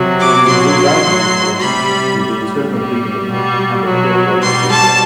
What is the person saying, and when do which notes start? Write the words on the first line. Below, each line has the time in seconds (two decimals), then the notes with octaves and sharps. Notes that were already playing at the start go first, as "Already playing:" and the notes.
He was ruled out of the tournament with internal bleeding and a perforated liver.
Already playing: C3 F#3
0.19 D6
0.47 B2 F#3 C6
1.03 A2 F#3
1.60 C3 G3 B5
2.16 A2 G3
2.72 A2 G3
3.29 B2 G3
3.86 B2 F#3
4.41 B2 G3 C6
4.70 A5